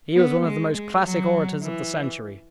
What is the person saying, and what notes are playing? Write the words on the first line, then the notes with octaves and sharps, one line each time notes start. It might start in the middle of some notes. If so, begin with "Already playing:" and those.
He was one of the most classic orators of the century.
B3
G#3
G#3
F#3
E3